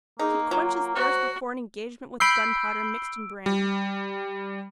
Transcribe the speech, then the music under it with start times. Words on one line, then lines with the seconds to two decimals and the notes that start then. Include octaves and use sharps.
He'd quench his thirst before an engagement with gunpowder mixed in brandy.
0.19 A#3 D#4 G#4
0.51 F#3 F4
0.95 F#4 C5
2.20 B5 E6 G6 C7 D7
3.46 G3